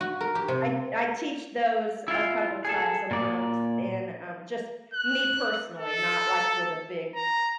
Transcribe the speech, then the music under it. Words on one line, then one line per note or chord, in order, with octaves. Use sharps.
I I teach those a couple times a month, and, um, just me personally, not, like, with a big,
F#4
A#4
G4
C3
E4 F4
G#4 A4
A#2 D5
F#6
A4
A#5